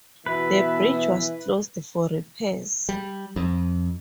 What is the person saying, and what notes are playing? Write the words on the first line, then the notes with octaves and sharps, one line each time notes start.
The bridge was closed for repairs.
B2 E3 B3 B4 E5
G3
F2